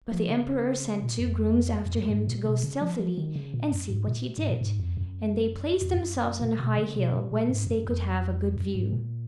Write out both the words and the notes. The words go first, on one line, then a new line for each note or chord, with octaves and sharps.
But the emperor sent two grooms after him to go stealthily and see what he did, and they placed themselves on a high hill whence they could have a good view.
F3
C#3
A#2
F2
F2
F#2
G#2
A#2
B2
C#3
F3
F3
D#3
C#3
A#2
F#2
G#2
A#2
G#2
A#2
G#2
F2
F#2
F2
F#2
A#2
B2
C#3
B2
A#2
A#2
G#2
F#2
F2
F#2
G#2
A#2